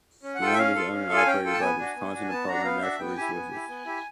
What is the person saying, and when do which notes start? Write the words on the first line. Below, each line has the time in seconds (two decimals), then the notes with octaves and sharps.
The land is owned and operated by the Wisconsin Department of Natural Resources.
0.23 C#4
0.35 F#5
0.41 F4 A4
0.46 G5
0.54 E5
0.58 C#4 F5
0.75 F4 A4
0.93 C#4
1.09 F4 A4
1.17 G#5
1.26 C#4 G5
1.45 F4 A4
1.54 A5
1.61 B3 G#5
1.79 D4 F#4
1.96 B3
2.13 D4 F#4
2.30 B3 A5
2.47 D4 F#4 A#5
2.64 B3 F5
2.81 D4 F#4 E5
3.00 B3 G5
3.17 E4 G4 G#5
3.34 B3
3.51 E4 G4
3.69 B3
3.86 E4 G4